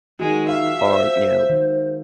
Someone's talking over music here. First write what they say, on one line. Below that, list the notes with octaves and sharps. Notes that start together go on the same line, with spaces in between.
or, you know
D#3 G#3 F#4
E5 F5
C5
D#3 G#3